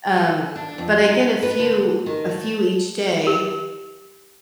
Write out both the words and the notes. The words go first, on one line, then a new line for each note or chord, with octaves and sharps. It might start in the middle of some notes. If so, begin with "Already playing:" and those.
Um, but I get a few a few each day
A4
D4
F2
D#4
D4
B4
D3
D#3
A3
G4